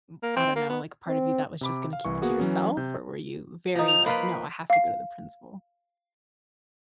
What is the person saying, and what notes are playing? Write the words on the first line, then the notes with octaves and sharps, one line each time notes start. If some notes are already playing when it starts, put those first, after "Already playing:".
m I don't know, like a part of you that was just gonna keep it to yourself or were you very like, “No, I have to go to the principal.”
A#3
C4
A#3
B3
C4
C3 B5 D6
F5
C2 E3 C#6
A#3 B3 F#4 G#4
E3 F#3 C#4
C3 G6
F3 D#4
F7
A#3 F4 B4 B5
F5 C7